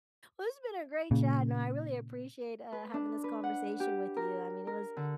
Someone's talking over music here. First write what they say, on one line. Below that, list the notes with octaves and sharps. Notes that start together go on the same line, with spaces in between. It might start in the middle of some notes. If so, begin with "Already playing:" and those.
Well it's been a great chat, and I really appreciate, uh, having this conversation with you. I mean, it was,
A#2 C#3
B4
D4
B4
F#5
G4
A#4
A#4
D3